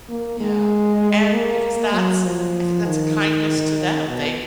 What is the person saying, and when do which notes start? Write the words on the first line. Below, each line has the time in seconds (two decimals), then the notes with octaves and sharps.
Yeah, and because that's I think that's a kindness to them, they
0.09 A#3
0.40 G#3
1.33 A#3
1.93 F#3
2.25 F3
2.86 D#3
4.08 B2